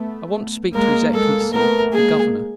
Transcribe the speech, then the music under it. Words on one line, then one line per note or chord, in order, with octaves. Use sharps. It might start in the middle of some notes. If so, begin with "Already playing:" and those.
"I want to speak to his Excellency, the governor."
Already playing: A3 B3
G#3 A#3 A#4
G#3 A#3 A4
A3 B3 A#4
G#3 A#3 G#4